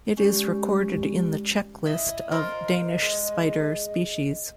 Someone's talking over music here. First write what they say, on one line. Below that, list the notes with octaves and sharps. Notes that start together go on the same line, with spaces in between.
It is recorded in the checklist of Danish spider species.
G#3 C#4 G4 D5
E4 D#5
F4 A#4 C5 D#5
G#3